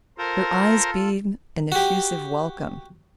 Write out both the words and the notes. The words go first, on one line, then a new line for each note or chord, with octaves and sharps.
Her eyes beamed an effusive welcome.
F4 A4 A#4 C5
F#4 G4